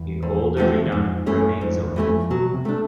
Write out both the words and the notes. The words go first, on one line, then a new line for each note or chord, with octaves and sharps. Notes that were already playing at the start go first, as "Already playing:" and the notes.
The old arena remains open.
Already playing: E2
F2
D3 F3 A3 C4
E2
F2 G#2
F#2 E3 A3 C#4
G2
F#2
F2 G#2
E2
F2
E2 E3 A3 C#4
F2
B2 F#3
C3
A3 D4